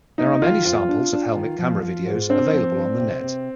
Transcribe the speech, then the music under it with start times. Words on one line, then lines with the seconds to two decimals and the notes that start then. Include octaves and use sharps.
There are many samples of helmet camera videos available on the net.
0.18 A#3 D#4
0.42 D#3 F4
0.65 F2 F4
0.89 D4
1.13 D4
1.36 D#3
1.59 F3
1.82 F3
2.06 G#2
2.29 C4 D4
2.53 F3
2.76 D4
2.99 C3
3.23 C3